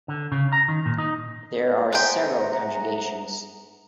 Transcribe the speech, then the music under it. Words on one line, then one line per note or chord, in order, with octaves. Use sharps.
There are several conjugations.
D3
C#3
A#5
D#3
A#2
D#4
B3 G#4 C5 E5 F#5 G5 A#5